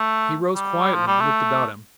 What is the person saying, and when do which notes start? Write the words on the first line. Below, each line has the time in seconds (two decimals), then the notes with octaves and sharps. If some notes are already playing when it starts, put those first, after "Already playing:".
He rose quietly and looked about him.
Already playing: A3
0.55 G3
0.94 F3
1.07 G3
1.20 A3